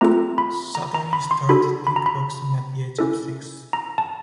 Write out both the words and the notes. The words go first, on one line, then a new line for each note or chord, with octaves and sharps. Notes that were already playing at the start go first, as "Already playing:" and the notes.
Sattari started kickboxing at the age of six.
A3 C4 F4 A4 A#5
B5
A#5
A#5
B5
C6
D4 F#4 A4 B5
B5
A#5
B5
C#4 E4 A4
A#5
A5